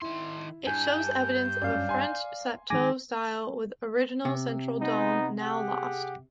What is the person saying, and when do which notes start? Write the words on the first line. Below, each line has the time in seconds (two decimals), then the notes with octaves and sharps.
It shows evidence of a French chateau style, with original central dome, now lost.
0.02 D#3 E4 C6
0.67 G2 G#5 G6
1.62 F#2 D5 F5
1.89 G#5 C6
2.70 D#3 G#3 G#5 D6 A#6
4.25 C3
4.80 B3 D#4
5.40 G4 G#4 F#5